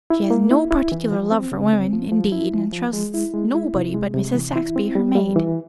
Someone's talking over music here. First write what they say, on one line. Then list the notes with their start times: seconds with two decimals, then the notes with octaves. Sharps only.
She has no particular love for women, indeed, and trusts nobody but Mrs. Saxby, her maid.
0.10 E4
0.30 A#3
0.51 E4
0.71 E4
0.92 E3
1.12 F3
1.32 C4
1.52 C#3
1.73 C4
1.93 F3
2.12 F3
2.32 E4
2.53 F3
2.73 F3
2.93 G#3
3.14 E4
3.34 G#3
3.55 E4
3.75 C3
3.94 G#3
4.14 C3
4.35 E3
4.56 E4
4.76 C4
4.95 G3
5.15 G3
5.36 E3